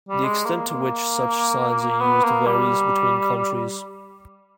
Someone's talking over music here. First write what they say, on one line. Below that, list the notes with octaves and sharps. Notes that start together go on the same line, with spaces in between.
The extent to which such signs are used varies between countries.
G3
G#3
A#3
A#3
B3
A#3
G3